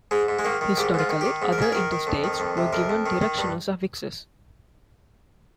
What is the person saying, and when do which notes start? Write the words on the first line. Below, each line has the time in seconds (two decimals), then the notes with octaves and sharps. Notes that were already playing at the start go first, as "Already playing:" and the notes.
Historically, other interstates were given directional suffixes.
0.11 G#2 G#3
0.28 G#2
0.39 G#3
0.45 D#3 A#3
0.61 D#3
0.77 G#2 G4
0.94 G#2 F4
1.09 D#3
1.21 G4
1.25 D#3
1.42 G#2
1.52 A#4
1.58 G#2 G#4
1.72 D#3 A#4
1.91 D#3
2.07 F2
2.24 D#3
2.40 F2
2.57 C3
2.73 F2 A#4
2.90 F2
3.06 D#3
3.21 D#3
3.38 G2